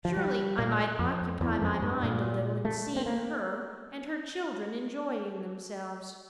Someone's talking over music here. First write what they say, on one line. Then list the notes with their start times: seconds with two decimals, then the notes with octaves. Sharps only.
Surely I might occupy my mind a little in seeing her and her children enjoying themselves.
0.05 F3
0.17 G3
0.59 A#2
0.99 F2
1.41 E2
1.62 F2
1.82 G2
2.03 A#2
2.65 A3
2.96 C4
3.06 A#3